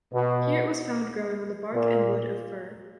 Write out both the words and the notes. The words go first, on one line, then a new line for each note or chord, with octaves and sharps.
Here it was found growing on the bark and wood of fir.
B2
A#2